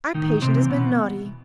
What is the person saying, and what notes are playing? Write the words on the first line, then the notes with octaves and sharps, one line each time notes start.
'Our patient has been naughty!
A2 D#3 D#4
C3 C4
E3
B2 B3